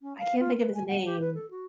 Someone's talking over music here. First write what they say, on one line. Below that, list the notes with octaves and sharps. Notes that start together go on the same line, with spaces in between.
I can't think of his name.
C#4
F5
F4
B4
G#5
F#5
G4
B4
A4
F#4